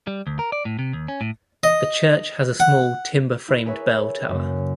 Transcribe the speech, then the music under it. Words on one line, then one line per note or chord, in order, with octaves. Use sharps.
The church has a small, timber-framed bell tower.
G3
D2
A#4
D5
A2
C3
D#2
C#4
A2
D#5
F#5
E4
G#4 A#4 B4 C#5 E5
F#2 C#3 A#3